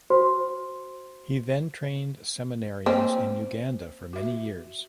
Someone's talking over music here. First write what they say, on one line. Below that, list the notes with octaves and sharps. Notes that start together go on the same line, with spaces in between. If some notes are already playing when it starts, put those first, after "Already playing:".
He then trained seminarians in Uganda for many years.
F#4 C5 C6
A#3 C4 C#4 D#5 G5
F#4 E5